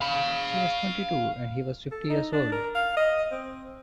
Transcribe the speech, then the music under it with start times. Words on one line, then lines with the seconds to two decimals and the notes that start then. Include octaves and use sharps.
She was twenty-two and he was fifty years old.
0.01 F5 B5
1.91 A4
2.10 D#4
2.33 D4
2.52 A#4
2.75 F5
2.97 D#5
3.32 C4